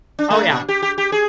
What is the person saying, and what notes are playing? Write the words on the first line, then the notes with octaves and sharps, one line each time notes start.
Oh, yeah.
D4
A3
A#2
G4
G4
G4
G#4